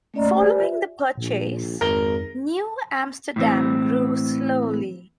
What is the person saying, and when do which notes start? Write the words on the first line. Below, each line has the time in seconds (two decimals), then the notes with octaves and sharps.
Following the purchase, New Amsterdam grew slowly.
0.14 A3 A#3 C#4 D5 D#5 A#5
0.35 G4 C5 D5 G#5
0.59 F4 E5
1.17 A#1 A#2
1.81 G#1 F2 A#4 A#6 G7
3.36 A2 E3 C4